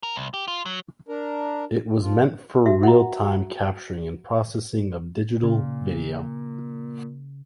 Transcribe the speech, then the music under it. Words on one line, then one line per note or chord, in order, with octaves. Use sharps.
It was meant for real time capturing and processing of digital video.
A#4
C2
G4
F4
F#3
D4 A#4
F3 F4
F#4 E5
F#5 A#5
A#2 C#3